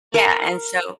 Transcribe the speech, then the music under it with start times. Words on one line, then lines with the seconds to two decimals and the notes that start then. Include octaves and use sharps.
Yeah, and so
0.14 A#4